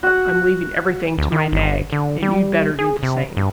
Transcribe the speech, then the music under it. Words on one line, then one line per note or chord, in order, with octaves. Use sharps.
"I'm leaving everything to my nag, and you'd better do the same."
F#4 F#5
D2
D#3
G1
D3
G3
G#4
C3
G2